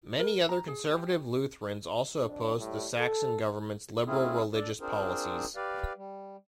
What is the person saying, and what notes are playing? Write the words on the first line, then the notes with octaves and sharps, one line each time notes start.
Many other conservative Lutherans also opposed the Saxon government's liberal religious policies.
A#4
A#5
G#4
G4
F2 D4
A2 G3
A4
A3 C4 C#4 E4 F4 G#4
D4 A4 D5
C4 D4 F4 G#4 A#4 C5
G4 B4 D5 F5
G3